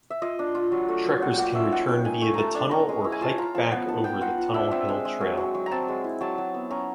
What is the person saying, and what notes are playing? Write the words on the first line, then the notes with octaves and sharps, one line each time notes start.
Trekkers can return via the tunnel, or hike back over the Tunnel Hill Trail.
E5
F4 D#5
D4
F4
F#3
A3
F#3
F4 F#5
G5
A#3 F#5
C#4 E5
D#4 F#5
A#3 G5
D#4 G#5
A3
A3 A5 A#5
D4 A5
C#4 A#5
G#3
E4
G#5
F4 A5
F4 A#5
F3 A5
B3 F#5
D#4 A5
B3 G5
F4 F#5
F4
D4 E5
C4 E5
G#3
G#3
F#3
F#3
F#3
A#5
C4 A5
G#3
E4
F#3 A5
F#3
B3
C#4 A#5